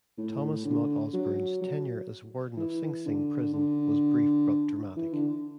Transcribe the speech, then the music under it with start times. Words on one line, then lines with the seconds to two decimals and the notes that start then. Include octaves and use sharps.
Thomas Mott Osborne's tenure as warden of Sing Sing prison was brief but dramatic.
0.18 A2
0.65 D3
1.13 F#3
1.62 F#3
2.57 E3
3.06 D3
3.53 D3
4.97 E3
5.13 D3